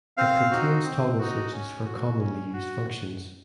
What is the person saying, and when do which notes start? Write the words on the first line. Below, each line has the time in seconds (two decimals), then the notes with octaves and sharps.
It contains toggle switches for commonly used functions.
0.17 C4 F5
0.51 D#4 F#4
0.84 C4
1.19 D#4 F#4
1.52 C#4
1.85 F#4
2.19 C#4
2.53 F#4